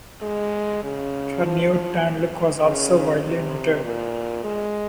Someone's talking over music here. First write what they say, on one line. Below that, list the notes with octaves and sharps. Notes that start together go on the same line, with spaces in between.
Her new, tanned look was also widely noted.
G#3
C#3
F3
C#3
C3
A#2
G#3